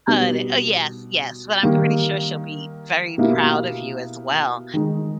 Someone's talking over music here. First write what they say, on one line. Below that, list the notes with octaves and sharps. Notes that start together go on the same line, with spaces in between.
Uh, de uh, yes, yes, but I'm pretty sure she'll be very proud of you as well.
B2 G3 B3 D#4
D#3 G3 A#3
B2 A#3 E4 G4
D#3 G#3 D#4